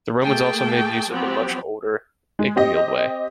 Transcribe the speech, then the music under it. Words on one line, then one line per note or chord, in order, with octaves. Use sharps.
The Romans also made use of the much older Icknield Way.
A3 A#3 G#4 G5 A5
F3 F#3 B3 C4 G4
G#3
C4 G4 D#5